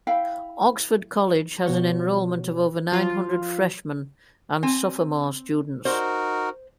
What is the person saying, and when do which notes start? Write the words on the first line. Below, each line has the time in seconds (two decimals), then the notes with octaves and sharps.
Oxford College has an enrollment of over nine hundred freshman and sophomore students.
0.07 E4 F5 G5 B5
1.66 B2 F3 F#4 C#5
2.92 F3 F4
4.63 C4 G#5
5.85 D#4 F#4 A#4 C5